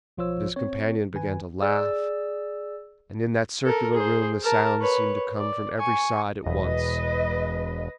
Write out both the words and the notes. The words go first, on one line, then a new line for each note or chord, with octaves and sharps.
But his companion began to laugh, and in that circular room the sound seemed to come from every side at once.
B1 F3 F4 C5 C#5 E6
C4 C#5
F#2 D#3 B4 G#5
G#4 D5 E6
A4 A#4
G#4 C5
A#4 A5
B4 C#5
D5
G#5 C#6
E1 B4 D#5